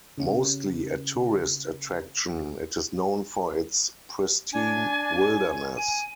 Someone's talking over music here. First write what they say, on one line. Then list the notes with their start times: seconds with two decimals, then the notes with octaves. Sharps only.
Mostly a tourist attraction, it is known for its pristine wilderness.
0.18 C#3 C#4
4.52 D4 G#5
5.77 G#5 D#7